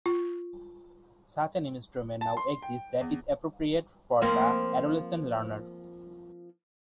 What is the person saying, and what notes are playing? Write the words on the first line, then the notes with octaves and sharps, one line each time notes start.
Such an instrument now exists that is appropriate for the adolescent learner.
F4
A5
C6
G5
E2
F3 A#3 C4